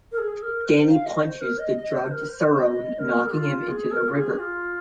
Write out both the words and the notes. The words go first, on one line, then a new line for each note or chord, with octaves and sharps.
Danny punches the drugged Sarone, knocking him into the river.
A#4
G#4
A#4
C5
F5
D#5
C5
A#4
D#5
D#5
C5
A#4
C5
D#5
A#4
F4
G#4
A#4
F4
G#4
F4